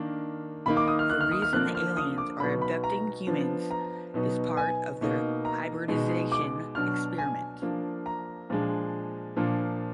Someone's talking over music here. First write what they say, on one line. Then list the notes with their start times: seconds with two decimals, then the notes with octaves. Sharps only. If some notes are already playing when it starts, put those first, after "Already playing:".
The reason the aliens are abducting humans is part of their hybridization experiment.
Already playing: D#3 A#3 D4
0.66 D#3 A#3 D#4 B5
0.77 D6
0.88 D#6
0.99 F6
1.10 F#6
1.21 F6
1.31 D#6
1.42 F6
1.53 D3 F3 A#3 D4 F#6
1.75 F6
1.97 D#6
2.18 D6
2.40 B2 F#3 B3 D#4 B5
2.62 B5
2.84 A#5
3.27 F3 B3 D4
3.71 A#5
4.14 B2 F#3 B3 D#4
4.57 G#5
5.01 B2 A#3 D#4
5.45 A#5
5.88 B2 G#3 D#4
6.32 D6
6.75 B2 F#3 D4 F6
7.18 G#5
7.62 F3 A#3 D4
8.06 A#5
8.50 A#2 F3 G#3 D4
9.36 A#2 F3 A#3 D4